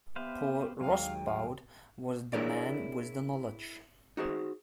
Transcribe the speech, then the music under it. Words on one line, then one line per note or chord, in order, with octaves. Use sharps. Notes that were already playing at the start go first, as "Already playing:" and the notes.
Paul Rosbaud was the man with the knowledge.
B3 G4 B4 C5 E5 F5
D#2 F#3 G#3 F5 G5
F5
D4 E4 G#4 A#4 C#5 D5
D#4 F#4 G#4 C5